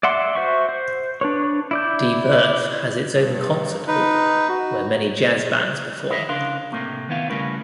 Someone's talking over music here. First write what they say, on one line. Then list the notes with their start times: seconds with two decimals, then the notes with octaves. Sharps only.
De Werf has its own concert hall where many jazz bands perform.
0.03 D5 E5 F#5 C6
0.35 F#4 C5 E5 C#6
0.69 C5
1.21 D4 B4 C#5
1.71 E4 D5 G6
3.16 G2
3.87 D#4 B4
4.49 F#4
6.10 E4 G#4 C#5 D#5 E5
6.29 C#3 D4 A#4 F5 C6
6.72 A2 C3 A3 A#3
7.09 D#3 B3 E4 F5
7.30 C#3 G3 A3 C#4 A#4 B4